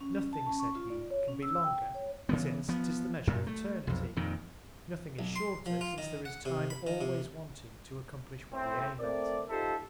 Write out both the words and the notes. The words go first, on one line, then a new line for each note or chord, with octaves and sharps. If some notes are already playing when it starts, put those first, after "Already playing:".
Nothing, said he, can be longer, since 'tis the Measure of Eternity; Nothing is shorter, since there is Time always wanting to accomplish what we aim at.
C#4
A5
C#4
C#6
F4
D5
C#5
C#4
E6
G5
C#5
C#3 E3 B3
F3 B3
F#2 A#2
A3
B1 F2
F2 A#2 D#3
B1
C6
F3
F4
D#3
F#5
C3
B5
D#3
C3
A2 C4
A3 C4 A#4 D5
D#4 F4 G4 A4 C5 E5